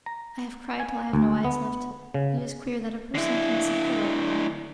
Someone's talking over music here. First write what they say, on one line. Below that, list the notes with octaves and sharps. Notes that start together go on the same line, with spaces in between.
I have cried till I have no eyes left. It is queer that a person can suffer like that.
A#5
G#5
D2
B3
C#3
D3 E4